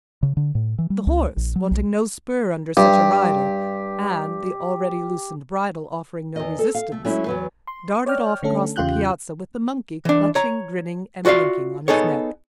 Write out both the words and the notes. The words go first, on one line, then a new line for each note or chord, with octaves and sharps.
The horse wanted no spur under such a rider, and, the already loosened bridle offering no resistance, darted off across the piazza, with the monkey, clutching, grinning, and blinking, on his neck.
C#3
D3
A2
E3
G3
C#2
A#1
F#3
B1
G2 G4
E2 D#5
A4
F5
A3
F#3 G#3 A3 C#4 E4
E2 F#3 B4
C6
C#5 D5 G5 F6
D3 A3 C#4 A4
E2 C#3 F4 G4 F#6 G6
E3 D4
C#5 A#5
F4 F#4 D5 E5 F5
B3 D#4 G#4 A4 C#5